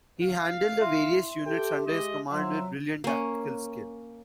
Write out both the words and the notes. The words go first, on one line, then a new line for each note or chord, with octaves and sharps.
He handled the various units under his command with brilliant tactical skill.
F5
E4 E5 C6
G4 A4 G5
G#3 D#5
F3 F#3 E5 F#5 C6
A#3 C#4